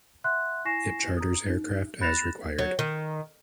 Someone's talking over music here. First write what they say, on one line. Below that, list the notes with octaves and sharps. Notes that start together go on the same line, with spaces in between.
It charters aircraft as required.
E5 F#5 C6 F#6
E4 G#5 C#6 A#6 C7 E7
A#5 D#6
D#4
B5 F#6 A6 A#6 E7 F7
F#3
D#3